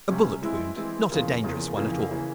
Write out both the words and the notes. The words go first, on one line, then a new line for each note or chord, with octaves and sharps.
"A bullet wound--not a dangerous one at all."
C#2 C3 G3 C#4 G4
E3 G#3 C4 E4
E3 G#3 C4 E4
E2 C#3 F3 A#3
E2 C#3 F3 A#3
F2 C#3 E3 A#3
C#3 E3 A#3